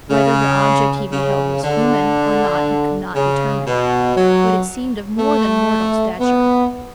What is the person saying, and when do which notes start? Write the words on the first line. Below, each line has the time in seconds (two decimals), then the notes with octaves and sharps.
Whether the object he beheld was human or not he could not determine, but it seemed of more than mortal stature.
0.10 C#3
1.13 C#3
1.64 D3
3.15 C#3
3.67 B2
4.16 F#3
5.18 A3
6.20 B3